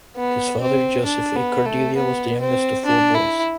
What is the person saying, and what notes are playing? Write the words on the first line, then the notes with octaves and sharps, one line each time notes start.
His father, Joseph A. Ciardiello was the youngest of four boys.
B3
C4
D4
B3
A3
B3
C4
D4
E4